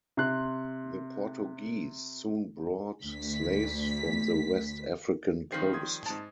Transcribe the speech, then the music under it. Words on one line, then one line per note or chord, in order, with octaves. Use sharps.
The Portuguese soon brought slaves from the West African coast.
C3 C6 F#6
D2 B6
D#3 F3 G3 C4 C7
C6 D#6 G#6
G#2 A5